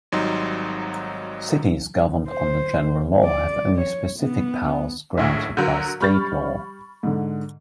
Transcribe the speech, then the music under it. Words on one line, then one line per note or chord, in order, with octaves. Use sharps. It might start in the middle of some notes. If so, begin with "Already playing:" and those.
Cities governed under general law have only specific powers granted by state law.
G#1 F#3 G3 D#4 C6
C5
D5
C#5
B3
A#1 A2
D3 F#3 A#4 F5 G6
G3 B5 C#6 F6 G6 A6
G#2 D3